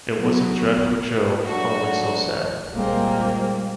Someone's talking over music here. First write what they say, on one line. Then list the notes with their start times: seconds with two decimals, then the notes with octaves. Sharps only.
It wasn't dreadful, Jo, only so sad!
0.15 F#3 B3
1.45 F#3 A3 D4 F#4
2.74 A#2 G3 G#3 A#3 C4